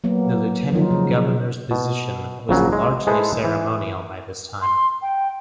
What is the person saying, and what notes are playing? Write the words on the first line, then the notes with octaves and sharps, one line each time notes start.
The lieutenant governor's position was largely ceremonial by this time.
F#3 A#3 B3
F3 F#3 D#4 F4
C#3
B2
A#1 C#3 F#3
G#3
G#3 E4 G#4 A4 B4 C5
E3
C6
G5